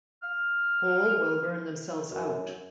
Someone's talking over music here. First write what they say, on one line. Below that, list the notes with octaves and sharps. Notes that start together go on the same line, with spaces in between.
Hole will burn themselves out.
F6
F#2